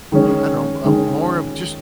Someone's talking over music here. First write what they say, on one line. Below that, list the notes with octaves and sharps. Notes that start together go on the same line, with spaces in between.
I don't know uh, a more of just
D#3 G#3 C#4
D#3 G#3 C#4